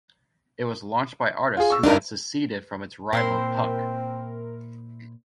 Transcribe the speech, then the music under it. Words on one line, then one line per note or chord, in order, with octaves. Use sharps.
It was launched by artists who had seceded from its rival "Puck".
F4 G#4
C#6 E6
D2 G2 D4 D#4 A#4
A#2 C4 E4 A#4 C5 C6